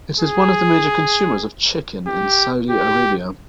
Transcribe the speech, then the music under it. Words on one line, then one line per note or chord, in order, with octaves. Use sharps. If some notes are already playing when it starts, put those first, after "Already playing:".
It is one of the major consumers of chicken in Saudi Arabia.
G#4
G4
G4